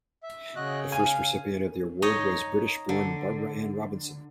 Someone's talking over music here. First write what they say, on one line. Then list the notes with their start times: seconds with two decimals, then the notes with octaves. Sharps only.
The first recipient of the award was British-born Barbara Anne Robinson.
0.23 E5
0.56 C#3 F#4 D#5 F#6
0.92 F5 G#5
2.02 D#4 C#5 D#5
2.89 D3